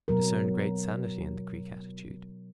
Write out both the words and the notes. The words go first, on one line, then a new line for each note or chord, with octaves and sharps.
I discern great sanity in the Greek attitude.
B2 F#3 A#4